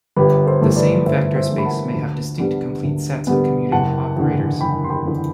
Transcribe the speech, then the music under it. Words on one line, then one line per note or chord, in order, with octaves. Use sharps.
The same vector space may have distinct complete sets of commuting operators.
G1 G4 B4
A4 C5
G2 E3 A3
B4 D5
G1 C5 E5
C5 E5
G2 E3 A3
B5
F#5 A5
D2
D3 G3 B3
D2
D3 G3 B3
F#1 F#5 A5
E2 D3
F#1 G5 B5
C6
G5 B5
E2 D3